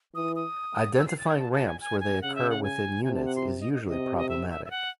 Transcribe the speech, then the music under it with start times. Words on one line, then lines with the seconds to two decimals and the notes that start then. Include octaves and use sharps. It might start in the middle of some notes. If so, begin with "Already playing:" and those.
Identifying ramps where they occur within units is usually problematic.
0.15 E3 D#6
0.36 D#6
0.98 E6
1.08 C7
1.19 A6
1.28 G#6
1.39 A5
1.53 A5
1.67 G#5
1.81 G#5
2.00 G#5
2.21 C#3 F#5
2.35 E5
2.50 F#5
2.63 G#5
3.05 C3 G#5
3.15 A5
3.25 F#5
3.36 C6
3.60 D#5
3.73 D#5
3.87 C3 D#5
4.17 D#5
4.29 E5
4.50 E5
4.65 E5
4.71 F#5